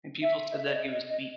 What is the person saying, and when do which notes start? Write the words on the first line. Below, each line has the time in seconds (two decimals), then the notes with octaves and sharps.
And people said that he was weak.
0.22 E5
0.52 D#5
0.57 E5
0.66 D5
0.75 D#5
0.92 D#5
1.10 D#5